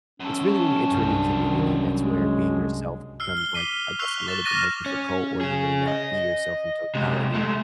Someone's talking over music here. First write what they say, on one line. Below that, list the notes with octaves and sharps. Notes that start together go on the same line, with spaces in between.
it's really when you enter a new community, that's where being yourself becomes, like, I guess, a little bit more difficult, or you may not be yourself in totality
F#2 C#4 A4
C2 G2
D#3
G#3
E6 F6 C7
G7
D6 B6 C7 D#7
C#6 E6 F#6 C7 F7 G7
C#6 A6 E7
D6 F6 F#6 A6 A#6 D#7
C#4
C#4 G#4
D#5
C3 G#3
G#3 A3